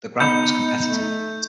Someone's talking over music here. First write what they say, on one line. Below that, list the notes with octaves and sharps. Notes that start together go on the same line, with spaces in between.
The grant was competitive.
B3 D#4 B5 G6 C#7
A3